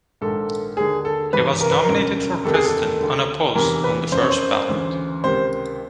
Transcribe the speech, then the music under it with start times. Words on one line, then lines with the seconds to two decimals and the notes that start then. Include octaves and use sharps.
He was nominated for President unopposed on the first ballot.
0.21 A#1 G#2 D#3 A4
0.77 D#2 D3 G#4
1.05 A4
1.33 G#1 G2 E3 B4
1.61 A#4
1.71 B4
1.80 A#4
1.88 E1 D2 C#3
2.44 F#1 E2 C3 D#3 A4
2.54 G#4
2.64 A4
3.00 D2 D3
3.55 F1 E2 C3 E3 A#4
3.84 B4
4.11 F#1 F2 C#3 C5
4.21 C#5
4.30 C5
4.68 D2 C#3 E3
5.24 C#2 C3 D#3 C5